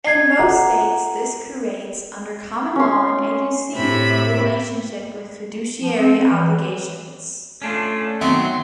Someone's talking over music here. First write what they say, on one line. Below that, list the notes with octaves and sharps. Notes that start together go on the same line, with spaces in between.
In most states this creates, under common law, an agency relationship with fiduciary obligations.
G#6 C7
F4 A4 F#5 A#5 D6
C#4 C6
A2 C3 E5 B5
F3
C4
C4
E3
A3 C#4 D4 F4
D#3 F#3 B3 C4 E5 C6